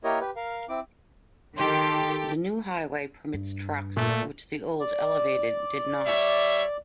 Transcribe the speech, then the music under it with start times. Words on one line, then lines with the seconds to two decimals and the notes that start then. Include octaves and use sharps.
The new highway permits trucks, which the old elevated did not.
0.04 A#3 E4 G4 A#4 C#5 D#5
0.21 G4 B4
0.36 A#4 F5
0.69 C4 E4 D6
1.56 D#3 G4 A4 C6
3.34 G2
3.97 A#2 A3
4.81 D5
6.06 G3 C#5 E5